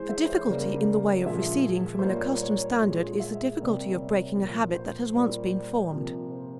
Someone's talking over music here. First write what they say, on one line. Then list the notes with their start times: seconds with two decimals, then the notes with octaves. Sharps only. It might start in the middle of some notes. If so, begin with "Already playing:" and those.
The difficulty in the way of receding from an accustomed standard is the difficulty of breaking a habit that has once been formed.
Already playing: E3 G#3 G#4 C5
0.09 E5
0.17 C#5
0.25 C5
0.33 C#5
0.48 C#3 G3 A#3
1.26 A#2 F3 G#3 E5
1.99 C5
2.03 A#2 G3 A#3 C#5
2.42 C#5
2.81 A#2 G#3
3.20 E5
3.59 C3 G3 A#3
3.98 C#5
4.37 A#2 F3 A#3
4.75 C5
5.14 A#2 G3 A#3
5.92 C3 F3 A#3
6.31 C5